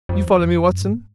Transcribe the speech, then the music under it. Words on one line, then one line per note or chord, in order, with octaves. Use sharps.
You follow me, Watson?
F2
E2
F2
F#2
G#2